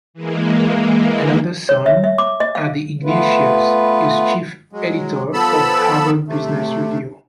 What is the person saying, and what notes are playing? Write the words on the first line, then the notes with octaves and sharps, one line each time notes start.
Another son, Adi Ignatius, is Chief Editor of Harvard Business Review.
E3 G#3 A#3
C#5
E5
E5
D6
D#5
F5
A3 B3 F4 B4
F#3 G#3
F3 B3 A4 A5 B5 E6
C3 A3